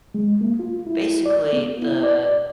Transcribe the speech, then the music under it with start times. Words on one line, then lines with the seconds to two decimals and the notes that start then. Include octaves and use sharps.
basically the
0.14 G#3
0.41 A#3
0.59 F4
0.87 E4
1.26 D5
1.53 B3
1.82 E4
2.03 D5